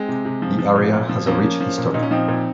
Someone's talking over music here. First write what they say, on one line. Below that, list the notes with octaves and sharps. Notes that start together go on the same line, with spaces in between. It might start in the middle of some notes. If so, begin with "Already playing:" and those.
The area has a rich history.
Already playing: G#3 C4
C3
C3
F3
F3
A#2
A#2
F3
F3 A#3 C#4
F3
F3
A#2
A#2 D#4
C#4
F3 C4 D#4
A#2